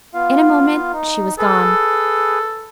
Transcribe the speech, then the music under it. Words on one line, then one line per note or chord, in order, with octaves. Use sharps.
In a moment she was gone.
B3 F4 F5
D#4
G#4 A4 B4